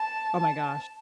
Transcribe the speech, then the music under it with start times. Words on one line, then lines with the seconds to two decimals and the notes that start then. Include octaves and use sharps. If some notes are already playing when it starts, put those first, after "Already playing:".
Oh my gosh.
Already playing: A5
0.37 A5